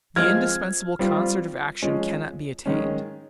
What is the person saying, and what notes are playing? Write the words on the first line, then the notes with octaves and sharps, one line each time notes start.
The indispensable concert of action cannot be attained.
F3 G#3 C4 F4 F6 G#6
G3 C4 F4
F3 G#3 C#4
D#3 G#3 C#4